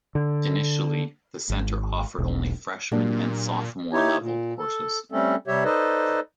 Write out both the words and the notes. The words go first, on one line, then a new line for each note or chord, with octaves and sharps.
Initially, the Center offered only freshman and sophomore-level courses.
D3
G#1
E1 B1
A#2 F#3 A#3 D4 G4
D#4 E4 G4 C#5
A#2
A4
G3 A3 C4 C#4 A4
C3 G3 G4 C#5 E5
D#4 A4 B4 C5 D5 D#5